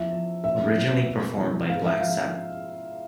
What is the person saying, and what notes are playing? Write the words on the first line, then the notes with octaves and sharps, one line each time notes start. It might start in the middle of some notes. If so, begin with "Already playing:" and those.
Originally performed by Black Sabbath.
Already playing: E2 F3 E5
F3
A#2 E5
F#3
B2
E2
G#2 F5
E5
F3 F5